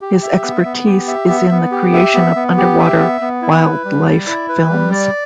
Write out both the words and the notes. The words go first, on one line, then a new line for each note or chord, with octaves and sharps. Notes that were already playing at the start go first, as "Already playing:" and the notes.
His expertise is in the creation of underwater wildlife films.
G4
E5
B3
B3
G4
E5
B3
B3
G4
E5
B3
B3
G4
E5
B3
B3
E4
B4
G3
D5
E4
B4
G3
D5